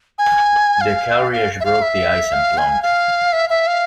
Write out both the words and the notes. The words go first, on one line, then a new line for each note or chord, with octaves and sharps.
The carriage broke the ice and plunged.
G#5
F5
F5
E5
F5
E5
F5
G#5
F5
E5
E5
F5